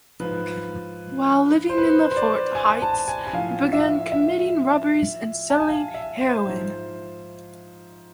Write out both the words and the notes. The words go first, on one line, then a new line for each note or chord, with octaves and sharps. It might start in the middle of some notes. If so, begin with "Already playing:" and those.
While living in the Ford Heights, he began committing robberies and selling heroin.
G#2 F3 B4
C5
B4
C5
D5
G#5
A5
G#5
G#5
A2 F3 F5
E5
E5
A5
G#5
F5
E5
C5
G#2 F3